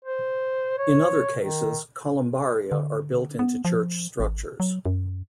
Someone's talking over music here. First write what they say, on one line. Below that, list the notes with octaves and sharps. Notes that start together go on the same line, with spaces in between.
In other cases, columbaria are built into church structures.
C5
C#5
D#3
D3
B3
F3
G#1
F#3
F#2